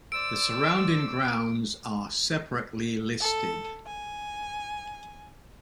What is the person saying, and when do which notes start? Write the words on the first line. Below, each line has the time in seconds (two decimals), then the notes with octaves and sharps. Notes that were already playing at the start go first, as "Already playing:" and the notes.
The surrounding grounds are separately listed.
0.12 C5 D5 E6 D7
3.20 A4
3.87 G#5